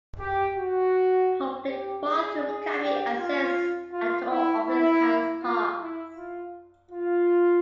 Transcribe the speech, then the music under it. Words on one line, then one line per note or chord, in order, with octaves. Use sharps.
Public bathrooms can be accessed at all of the town's parks.
G4
F#4
G4
G#4
G#4
G4
F4
F4
E4
E4
F4
E4
F4
F4